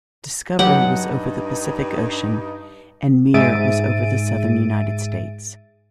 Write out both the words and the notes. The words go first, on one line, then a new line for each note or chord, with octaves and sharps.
"Discovery" was over the Pacific ocean and "Mir" was over the southern United States.
G2 F#3 D#4 G4 F#5
G#2 G#4 E5 A6 D7 D#7